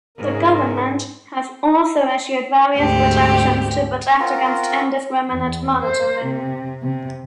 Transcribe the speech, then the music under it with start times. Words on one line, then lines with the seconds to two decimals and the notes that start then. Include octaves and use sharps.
The government has also issued various protections to protect against indiscriminate monitoring.
0.18 G#2 C#3 A#4
2.76 D2 G#2 C4 G4
4.20 C4 F4 F#4 A#4
5.29 E2
5.81 C5
6.25 C3
6.82 C3